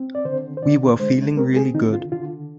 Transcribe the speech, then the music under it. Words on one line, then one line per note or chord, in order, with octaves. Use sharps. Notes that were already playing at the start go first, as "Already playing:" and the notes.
We were feeling really good.
Already playing: C4
D5
D3 C5
C5
D3 D5
G#3 C5
C4 A#4
G#4
D3 D#4
F4
D3 F4